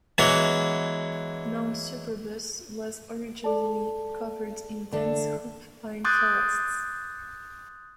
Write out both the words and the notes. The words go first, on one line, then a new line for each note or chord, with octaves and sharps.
Mount Superbus was originally covered in dense hoop pine forests.
E3 F#3 G#3 B3
A4 D5 A5
D3 A3 D4
C6 D6 D#6 F#6 G6 A6